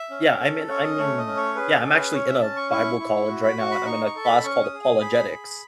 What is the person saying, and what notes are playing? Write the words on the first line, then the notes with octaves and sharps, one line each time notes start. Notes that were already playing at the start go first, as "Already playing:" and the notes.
Yeah, I’m in I’m in Yeah, I'm actually in a bible college right now, and I'm in a class called Apologetics.
Already playing: E5
C#4
A4
C#4 C#5
D#5
A3 C#5
D#5
C#4
C#5
G#4 B4
A4
C#4
B4
C#4 C#5
E5
C#4 A5
C#6
E4 C#6
E4
F#4
B5
F#4 C#6
B5
D#4 C#6
C#6
A4
B5
C#4 C#6
D#6
G#4
D#6
G#4 B5
G#4